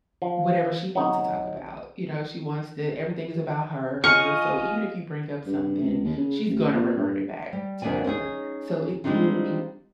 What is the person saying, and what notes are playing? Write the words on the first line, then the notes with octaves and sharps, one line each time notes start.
whatever she wants to talk about, you know, she wants to everything is about her, so even if you bring up something, she's gonna revert it back to her, so it's really
F3
F#3 D#4
F4 D#5 G#5 C#6 F6
G2
C#2
D#2
C#3
A1
A#2
G2
G3
F2 A#3 B3 D4 D5 G#5
C#4 D#4 E4 G#4
G3 G#3 C4 D4 D#4 F4